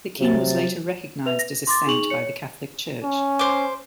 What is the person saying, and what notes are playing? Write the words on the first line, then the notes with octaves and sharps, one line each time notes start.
The king was later recognized as a saint by the Catholic Church.
C3 F#3 A6
B4 E5 F7
A#6
C6 D6 A6
D#4 G#4 C#6 F7 F#7
C#5 C#7
C#4
C5 D6